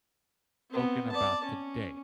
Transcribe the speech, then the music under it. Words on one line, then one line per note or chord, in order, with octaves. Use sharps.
spoken about today,
B3 C4
D5 A5
C#4